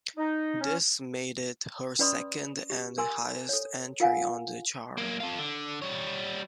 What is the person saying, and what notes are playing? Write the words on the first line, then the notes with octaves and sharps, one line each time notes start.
This made it her second and highest entry on the chart.
D#4
C#4
C#4 B4 D5 B5 C6 D#6
G4
A#4 G#5 C6 E6
A4 C#5
F4 A#4 F5 F#5 G#5
F#3 A#3
F4 A4
D3
G3 C#5